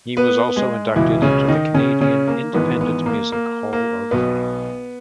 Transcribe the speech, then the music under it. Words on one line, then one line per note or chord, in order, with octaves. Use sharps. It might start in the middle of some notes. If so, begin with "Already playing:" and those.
He was also inducted into the Canadian Independent Music Hall of Fame.
B3 B4
G#3 G#4
C#2 B2 E3 E4
C#3 C#4
D#3 D#4
C#3 C#4
C#3 C#4
A#3
G#1 G#2 E3 B3
B3
A#3
A#3
A#3
B1 B2 B3